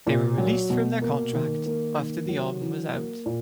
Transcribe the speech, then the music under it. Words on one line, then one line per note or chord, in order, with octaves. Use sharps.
They were released from their contract after the album was out.
A#2
F#3
B2
A#3
D#3
A#3
D#3
F#3
E3
A#3
A#2